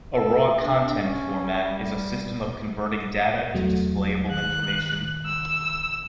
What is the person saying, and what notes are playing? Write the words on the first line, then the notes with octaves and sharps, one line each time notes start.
A raw content format is a system of converting data to displayable information.
A4
D4
C#4
G3
E2 F#3 A3
D#3 F#6
E6